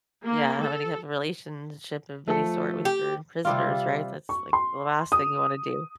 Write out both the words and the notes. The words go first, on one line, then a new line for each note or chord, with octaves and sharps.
yeah. Have any type of relationship of any sort with your prisoners, right? That's, like, the last thing you wanna do.
A#3
A4
F3 A3 A4
G4
C3 G3 F4
C#6
C6
D#6